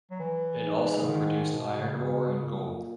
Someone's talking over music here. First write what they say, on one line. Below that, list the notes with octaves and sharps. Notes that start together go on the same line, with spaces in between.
It also produced iron ore and gold.
F#3
E3
G#2
C#3
D#3
B2
C#3
B2
A#2